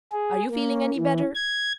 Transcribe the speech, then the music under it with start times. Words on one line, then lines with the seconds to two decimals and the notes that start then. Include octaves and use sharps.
Are you feeling any better?'
0.12 G#4
0.51 A#3
0.96 E3
1.35 G#6